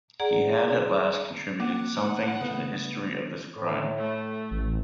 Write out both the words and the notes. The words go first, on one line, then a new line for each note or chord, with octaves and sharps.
He had at last contributed something to the history of this crime.
G#4 D5 F#5 A#5
A#3 F#5 D6
C#3 A3 B3
A2
A3
A1